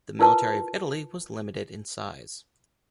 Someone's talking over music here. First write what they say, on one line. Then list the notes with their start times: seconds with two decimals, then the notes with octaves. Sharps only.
The military of Italy was limited in size.
0.19 E4 F4 A#4 B4 A5 B5